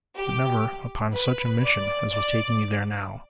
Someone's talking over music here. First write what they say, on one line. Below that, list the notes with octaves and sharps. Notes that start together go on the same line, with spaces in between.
But never upon such a mission as was taking me there now.
G4
B4
D5
D5